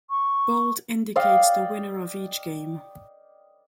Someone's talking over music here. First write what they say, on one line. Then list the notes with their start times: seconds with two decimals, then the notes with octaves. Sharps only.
Bold indicates the winner of each game.
0.10 C#6
1.16 D5 D#5 F5 G5